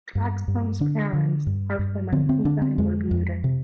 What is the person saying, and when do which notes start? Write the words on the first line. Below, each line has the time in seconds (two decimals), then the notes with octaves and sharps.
Claxton's parents are from Antigua and Barbuda.
0.15 G2
0.48 G2
0.80 D3 D4
1.13 D3
1.47 G2
1.79 G2
2.12 D3 C4
2.29 C4
2.45 D3 D4
2.62 C4
2.78 F2 G#3
3.11 F2
3.44 C3